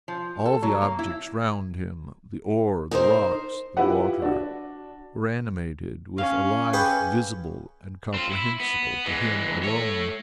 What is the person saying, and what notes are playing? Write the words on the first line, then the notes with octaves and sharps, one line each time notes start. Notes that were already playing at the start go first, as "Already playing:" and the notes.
All the objects round him--the ore, the rocks, the water--were animated with a life visible and comprehensible to him alone.
F3
A4
F#3
A#3
E4
D#4 A4 A#4 C5
E4 F4 G4 B4 F#5
D4 F#4
C#4 F5
G4 G#4 B4
C4 F4
E4
B3
E3 G#3
A3 C#5